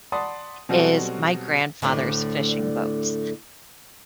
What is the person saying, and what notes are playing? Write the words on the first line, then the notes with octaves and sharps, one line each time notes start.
is my grandfather's fishing boat.
D5 F#5 A5 B5 C6 D#6
B2 F#3 G3 C4 F#4 A4
D2 A2 D3